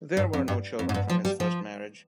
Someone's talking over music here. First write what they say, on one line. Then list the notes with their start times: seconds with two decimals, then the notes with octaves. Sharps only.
There were no children from his first marriage.
0.17 G2
0.33 F2
0.48 G2
0.79 F2
0.89 G#2
0.94 G2
1.09 F3
1.25 G3
1.40 F3